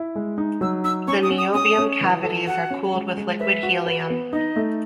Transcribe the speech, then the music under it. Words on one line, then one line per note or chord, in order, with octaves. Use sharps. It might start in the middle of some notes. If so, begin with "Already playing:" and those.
The niobium cavities are cooled with liquid helium.
Already playing: E4
G#3
D#4
F#3 E6
D#4 E6
C#4 C#6
D#6
C#4
D#6
C#4 D#6
C#4
E3
A4
F#4 F#5
C#4
G#3
G#3
B4 E5
F#4
B4
B3
D#4 D#5
A3